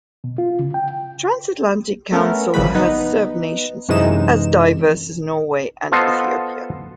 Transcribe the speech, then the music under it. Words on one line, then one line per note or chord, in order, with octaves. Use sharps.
Transatlantic Council has served nations as diverse as Norway and Ethiopia.
B2
F4
C#3
G5
A3 B3 C#4 A4 A#4
G#1 C#3 F3 G3 B4 B5
B3 D#4 B4
F#2 C3 E3 G#3 D#4 E7
B3 F4 A4 C5 D#5